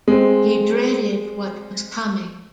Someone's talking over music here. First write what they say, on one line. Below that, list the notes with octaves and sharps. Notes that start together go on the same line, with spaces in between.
He dreaded what was coming.
G#3 C4